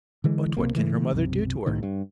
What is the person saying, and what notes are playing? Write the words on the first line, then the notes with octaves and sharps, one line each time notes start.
"But what can her mother do to her?"
D3 E3 G#3
B1 C3 A#3
C#3 E3 A3
B1 F#2 C3
C2 A2 C3 D#3
G2